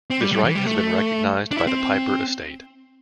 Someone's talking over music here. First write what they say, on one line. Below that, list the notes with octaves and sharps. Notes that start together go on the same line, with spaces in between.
This right has been recognized by the Piper estate.
C4
G3
G3
E3
G3
A3
D4
E4
C4